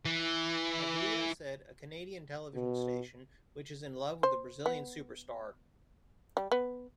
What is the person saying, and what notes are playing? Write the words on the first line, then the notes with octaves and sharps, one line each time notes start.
Paglia said, a Canadian television station, which is in love with a Brazilian superstar.
E3
B2
C5
B3
G3
B3